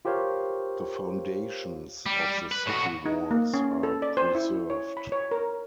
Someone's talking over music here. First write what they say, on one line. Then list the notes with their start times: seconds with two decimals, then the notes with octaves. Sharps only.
The foundations of the city walls are preserved.
0.05 F4 G4 A#4 C5 C#5 F5
2.06 G3
2.51 B4
2.67 A2 F#4
3.06 D#4
3.31 A#3
3.54 C#4
3.83 A4
4.02 D5
4.17 C5
4.35 E4
4.70 C#5
4.97 B5
5.12 C#5
5.31 A#4